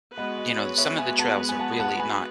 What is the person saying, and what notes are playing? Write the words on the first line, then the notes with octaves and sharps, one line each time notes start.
you know, some of the trails are really not,
G#3 B3 F#4 B4 D#5 F#5
D#5
C#5
C#5 E5
E5 G#5
F#5 A5
G#5
F#5 A5
F#5 A5
G#5 B5